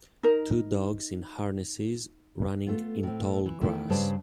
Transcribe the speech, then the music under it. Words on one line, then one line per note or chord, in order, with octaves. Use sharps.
Two dogs in harnesses running in tall grass.
D#4 A#4
A3 B3 F4
A2 C4
E3
D#3 A3 E4
G2 C#3 G3 B4 C5 A5